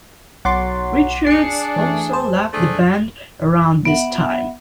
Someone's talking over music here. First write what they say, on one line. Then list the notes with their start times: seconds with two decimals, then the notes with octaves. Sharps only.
Richards also left the band around this time.
0.45 B1 F#3 F#5 C6 D6 A6
1.27 D4 G#4 C7 C#7
1.76 E3 A3
2.13 C5 A5
2.54 A3 D4 G#4
3.85 B3 E5 F#5